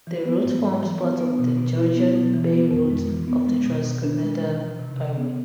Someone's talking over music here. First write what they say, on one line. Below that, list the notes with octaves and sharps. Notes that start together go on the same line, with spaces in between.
The route forms part of the Georgian Bay Route of the Trans-Canada Highway.
E3
B3
G#2
G#3
E3
B3
B3
B2
B2
E4
B3
B2
E3
B3
F2
G#3
E3
B3
G#3
B2
B2
D4
G#3
B2
E3
C3
C3
B3